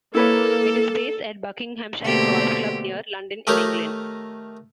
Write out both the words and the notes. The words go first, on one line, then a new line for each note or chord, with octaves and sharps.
It is based at Buckinghamshire Golf Club near London in England.
A#3 E4 A4 B4 C#5
B2 D3 A3 A#3 C4 G4
D#3 A3 D#4 G4 A#4 C#5